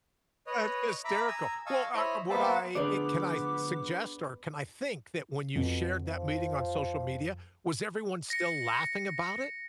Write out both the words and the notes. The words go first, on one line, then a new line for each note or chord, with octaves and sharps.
That's hysterical. Well, I uh, what I i can I s suggest or can I think that, when you shared that meeting on social media, was everyone still laughing about it?
B4 C#5 D#5
E5 A#5 B5 D6
G#5 A#5 D#6 E6
D#5 F5 G#5 A5 C#6 E6
E4 C5 C#5 D#5 E5
A#3 B3 C5 E5 A5
D2 F3 B3 D4 G#4 B4 D6
F2 B2
F3
A#6 C#7